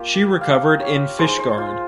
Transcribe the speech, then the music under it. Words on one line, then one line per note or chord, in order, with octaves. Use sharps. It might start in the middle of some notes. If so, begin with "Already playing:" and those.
She recovered in Fishguard.
Already playing: A#3 F4 G4
F5
C#5
G#3 D#4 C5
C5
F4